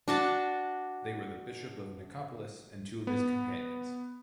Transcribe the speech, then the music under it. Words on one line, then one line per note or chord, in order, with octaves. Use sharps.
They were the bishop of Nicopolis and two of his companions.
D4 F#4 A5
B3